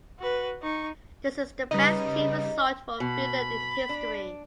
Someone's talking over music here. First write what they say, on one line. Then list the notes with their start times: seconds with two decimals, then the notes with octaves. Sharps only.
This is the best team result for Finland in history.
0.19 F#4 B4
0.62 D#4 C#6
1.71 C#3 G3 D#4 B4 D#5
3.00 B2 B5
3.89 D4